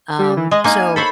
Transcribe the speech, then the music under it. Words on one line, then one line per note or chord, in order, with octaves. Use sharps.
Um, so,
G3
E3
G#3 D#5
A#3 D#4 G#5
A4 C5 C#5 B5